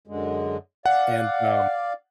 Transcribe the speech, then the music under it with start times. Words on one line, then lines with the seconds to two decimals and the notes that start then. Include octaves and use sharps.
And, um
0.07 F#2 D3 G#3
0.86 D5 F5 F#5